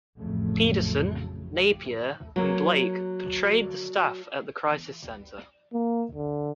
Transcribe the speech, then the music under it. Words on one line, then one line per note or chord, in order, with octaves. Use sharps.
Pedersen, Napier and Blake portrayed the staff at the crisis centre.
A1 F2 C#3 F#3 A3
F#3 A#3
A#3
D3